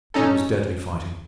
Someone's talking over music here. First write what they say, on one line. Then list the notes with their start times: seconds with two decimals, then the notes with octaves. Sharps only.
It was deadly fighting.
0.14 C#4 D#4 A4